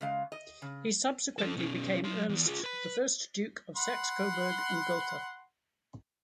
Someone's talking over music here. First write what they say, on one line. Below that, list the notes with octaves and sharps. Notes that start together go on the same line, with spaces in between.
He subsequently became "Ernest the First, Duke of Saxe-Coburg and Gotha".
C#3 G#3 F5
D#5
C#3
F3 A4
B2 C#4
F#3 C6
E2
F4 G#4
B4 B5
F#5 B5 C6